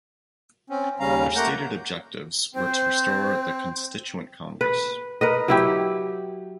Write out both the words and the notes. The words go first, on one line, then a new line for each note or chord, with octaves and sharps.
Their stated objectives were to restore the Constituent Congress.
C4 C#4
D#2 C#3 G3 C#4 F5 A#5
A3 A#3 A#4 F#5 A#5 G6
C4 C5
B4
A#4 B4 D#5
F#3 E4 G4